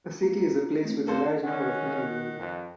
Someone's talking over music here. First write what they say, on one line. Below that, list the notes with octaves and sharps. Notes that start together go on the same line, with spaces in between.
A city is a place with a large number of men and women.
F4 A#5
A3 C4 E4
A#3 A4 C5
D#3 C#4 F#5 F#6
F2